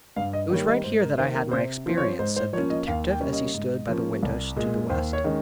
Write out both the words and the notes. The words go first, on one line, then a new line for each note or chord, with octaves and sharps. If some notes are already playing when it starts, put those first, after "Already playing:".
"It was right here that I had my experience," said the detective, as he stood by the windows to the west.
G2 F5
D#5
D#3 G3 A#3 C#5
D#5
G#2 C5
A#4
D#3 A#3 C5
A#4
C3 C5
F3 C4
C#5
G#2 C5
C5
F3 A#3 C#4 C#5
D#5
D#2 F5
G5
C#3 G3 A#3 C#4
D#5
G#2
F3 A#3 C#4
C2
A#2 G#3
D#2 C5
C#5
D#3 G#3 C#4